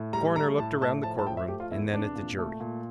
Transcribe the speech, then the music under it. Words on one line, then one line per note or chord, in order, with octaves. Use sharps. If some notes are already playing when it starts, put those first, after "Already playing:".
The coroner looked around the courtroom and then at the jury.
Already playing: A2
G3 A#5
A3 A#5
A2 A5
A2 A5
F3 A5
A5
F3 G5
E5
A3 G4
F4
E2 E4
C3 D4
A#2
A3
A#2